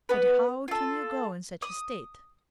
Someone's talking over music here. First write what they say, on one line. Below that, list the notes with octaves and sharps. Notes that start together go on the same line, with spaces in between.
But how can you go in such a state?
B3 B4
F4 A4
D#6